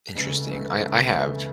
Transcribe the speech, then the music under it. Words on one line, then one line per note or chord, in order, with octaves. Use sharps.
Interesting, I I have
C#2 C#3 E3 A3
C#2 C#3 E3 A3
C#2 C#3 E3 A3
C#2 C#3 E3 A3